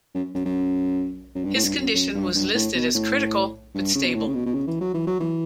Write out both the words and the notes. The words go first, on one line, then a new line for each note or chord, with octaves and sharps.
His condition was listed as critical but stable.
F#2
F#2
F#2
F#2
G2
A2
G2
F#2
F#2
G2
G2
A2
B2
A2
G2
C#3
B2
A2
C#3
B2
B2
C#3
E3
F#3
E3
F#3
E3